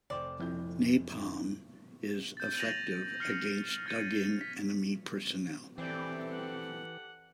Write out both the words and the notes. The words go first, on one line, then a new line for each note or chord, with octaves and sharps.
Napalm is effective against dug-in enemy personnel.
F1 C5 D5 G5
F1 F2 F3 C4 E4 G6
G6 A6
A6 A#6 D#7 F7 F#7
F6 C7 C#7 F#7
F6 G#6 A6 C#7 D#7
B6
E3 C4 G4 A4 D5 G5
F#5